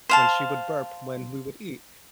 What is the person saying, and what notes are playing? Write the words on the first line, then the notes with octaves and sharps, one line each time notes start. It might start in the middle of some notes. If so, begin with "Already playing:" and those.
when she would burp, when we would eat,
C5 F5 A5